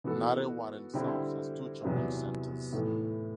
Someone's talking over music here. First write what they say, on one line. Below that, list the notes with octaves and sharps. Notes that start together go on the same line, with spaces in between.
Narre Warren South has two shopping centres.
E3 B3 F#4 A4
D3 G3 C4 E4
E2 C3 F#3 B3 E4
A2 E3 A3